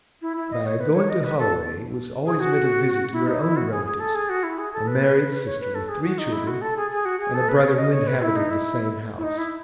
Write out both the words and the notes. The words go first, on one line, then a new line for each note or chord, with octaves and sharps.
By 'going to Holloway' was always meant a visit to her own relatives--a married sister with three children, and a brother who inhabited the same house.
E4
E4
D#5
C#5
B4
C#5
D#5
B4
A4
G#4
F#4
E4
D#4
E4
F#4
G#4
G#4
A4
G#4
F#4
E4
G#4
A4
B4
C#5
B4
A4
G#4
F#4
D#4
E4
F#4
A4
G#4
G#4
F#4
G#4
A4
B4
C#5
D#5
C#5
B4
E4
D#4
E4
E4
D#4
E4